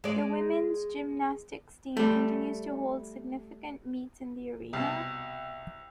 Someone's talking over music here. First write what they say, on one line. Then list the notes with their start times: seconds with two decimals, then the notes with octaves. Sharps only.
The women's gymnastics team continues to hold significant meets in the arena.
0.04 G#3 D5
1.97 G3 A3
4.73 C2 B2